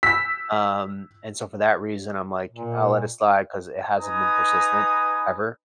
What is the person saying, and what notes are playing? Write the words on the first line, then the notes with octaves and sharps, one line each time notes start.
Um, and so for that reason, I'm like, "I'll let it slide," 'cause it hasn't been persistent ever.
E6 B6
A#2
D#4 B4 G#5 A#5 D#6